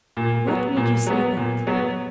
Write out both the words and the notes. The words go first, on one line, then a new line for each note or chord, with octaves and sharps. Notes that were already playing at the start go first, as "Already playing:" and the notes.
"What made you say that?"
A#2
F#3 B3
A#2
F#3 B3
A#2
F#3 B3